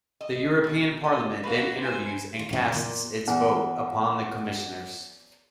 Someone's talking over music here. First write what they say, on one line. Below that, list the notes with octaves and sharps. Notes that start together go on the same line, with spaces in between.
The European Parliament then interviews and casts its vote upon the Commissioners.
D#5
B2
D#5
A#3 F#4 B4
C5 G#5
F4
C#3
A#2
E2 F#5